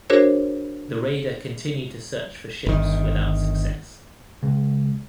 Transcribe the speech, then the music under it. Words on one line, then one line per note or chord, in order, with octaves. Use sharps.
The raider continued to search for ships without success.
D4 F#4 G#4 A#4 C5 C#5
G1 D#3
C#2